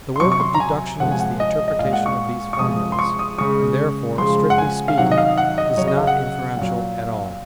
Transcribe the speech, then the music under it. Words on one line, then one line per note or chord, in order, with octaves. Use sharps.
The work of deduction is the interpretation of these formulas, and therefore, strictly speaking, is not inferential at all.
C6
C3 F#3 C#6
C#6
C6
A#5
G#5
C3 F3 G#3 F#5
G#5
F#5
D#5
D#5
A#2 G#3 F5
F#5
C#6
C#6
C3 F3 G#3 D#6
C6
C#6
D#6
C#3 G#3 C#6
C#3 F3 G#3 C6
F#5
G#5
F5
C3 D#3 F#3 F#5
D#5
F5
F#5
D#5
C#3 F#3 C#5
D#5
F5
F#5
A#2 F#3